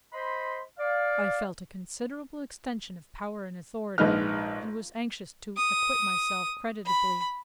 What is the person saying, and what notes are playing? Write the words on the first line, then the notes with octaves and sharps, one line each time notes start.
I felt a considerable extension of power and authority, and was anxious to acquit myself creditably.
C5 D#5 B5 C6
D5 F5
A#1 G#2 D#4 B4 F6
D#6
B5